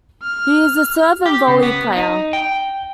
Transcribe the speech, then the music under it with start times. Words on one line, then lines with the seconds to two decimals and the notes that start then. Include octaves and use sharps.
He is a serve-and-volley player.
0.23 F6
1.26 G4
1.48 C#3
1.63 B3
1.96 D#4
2.33 G5